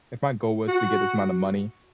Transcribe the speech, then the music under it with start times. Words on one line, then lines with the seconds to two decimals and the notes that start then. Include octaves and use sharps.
if my goal was to get this amount of money,
0.68 F#4